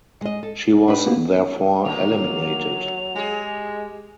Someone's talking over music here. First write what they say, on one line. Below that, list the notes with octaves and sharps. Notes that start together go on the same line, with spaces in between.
She was therefore eliminated.
G#3 D#5
A4
D4 G4 B4
A#3 B3
D3 D#3 F#3 A#3 F7
G#3 G4 G#4